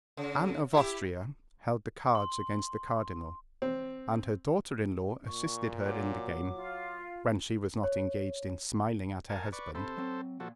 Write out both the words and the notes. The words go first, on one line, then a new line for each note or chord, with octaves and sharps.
Anne of Austria held the cards against the cardinal, and her daughter-in-law assisted her in the game, when she was not engaged in smiling at her husband.
C#3
E4 G4
C6
C4
A#2 C#6
F#3 D6
F4
C#5
A#4 G#5 A5
B4 D5 C#6
C3 A4 C5 B5
F#3 C4
A#2 F3 F#4 A4